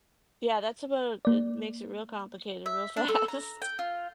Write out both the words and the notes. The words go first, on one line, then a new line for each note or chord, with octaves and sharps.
Yeah, that's about it makes it real complicated, real fast.
A#3 D5
E5
D4
A4
A#5
G5
F4